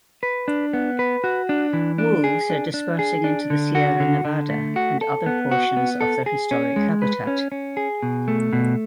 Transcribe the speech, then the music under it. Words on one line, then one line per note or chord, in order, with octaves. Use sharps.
Wolves are dispersing into the Sierra Nevada and other portions of their historic habitat.
B4
D4
B3
B4
F#4
D4
E3
D4
G#4
D4
D4
G#4
D4
D3
F#4
D3
D3
A3
F#4
A4
B3
F#4
B3
A4
G#4
C#4
G#3
B4
C#4
C#4
G#4
B2
A3
B2